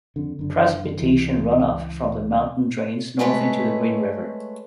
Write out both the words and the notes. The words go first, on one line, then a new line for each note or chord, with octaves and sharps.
Precipitation runoff from the mountain drains north into the Green River.
F2 D3
F#1 D3
C#2 E3
G#3 A3 B4 C#5